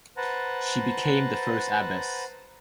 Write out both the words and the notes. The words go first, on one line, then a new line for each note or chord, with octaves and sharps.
She became the first abbess.
B4 C5 F#5 A5 A#5